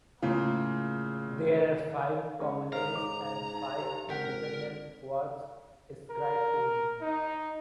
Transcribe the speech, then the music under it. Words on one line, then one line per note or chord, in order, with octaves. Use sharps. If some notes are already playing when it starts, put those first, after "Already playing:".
There are five commentaries and five independent works ascribed to him.
A2 C#3 A#3 F4
G#3 C#4
G#2 A4 A#4 C5 C#5 F5 A#5
D6
D#4 A5
G4 C5
G#1 A#4 F#5 G5 B6
A#4
D#4